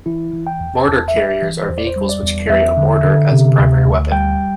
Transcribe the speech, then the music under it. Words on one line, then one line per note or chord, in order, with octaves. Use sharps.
Mortar carriers are vehicles which carry a mortar as a primary weapon.
E3 E4
E3
G5
E2
E2 A5
E5
G3
E5
E3
E2 C5
D5
C5
G3
D5
E2
E2 E5
D3
D3
C3
D2
D2
G3 G5